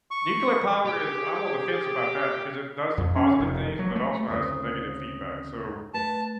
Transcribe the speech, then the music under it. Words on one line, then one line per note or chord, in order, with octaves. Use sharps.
Nuclear power is I'm on the fence about that because it does some positive things, but it also has some negative feedback, so
C#6
G4 G#4 G5
F2
C#4
F1
F#3
A3
D2 C#3 C4 D#6
A3 B4 A5